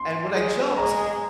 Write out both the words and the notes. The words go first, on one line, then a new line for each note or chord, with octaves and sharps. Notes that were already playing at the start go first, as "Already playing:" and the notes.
and when I jumped,
Already playing: C6
G#3
G#3 A#5